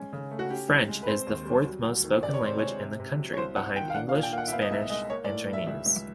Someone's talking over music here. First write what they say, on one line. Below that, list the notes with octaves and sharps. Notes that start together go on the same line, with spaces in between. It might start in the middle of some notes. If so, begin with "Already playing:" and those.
French is the fourth most-spoken language in the country, behind English, Spanish, and Chinese.
Already playing: G#3 C#4
C#3
A3
F#4
C#4 G4
C2
G#3
B4
C4 C5
D#2
G3
F#3
D2
D#3
C3 D5
C#5
C3 C5
G#3 C#5
C3
C3
F#3
C#5
C2 C5
C2 F#5
D#3 G5
F5
D4 F#5
F5
A#2
G5
A#3 F5
F#5
E5
B3 F5
D#5
C2 E5
G#3 D#5
A#3 C#5
D5
A2
G3
E5
C#2 E5
C#2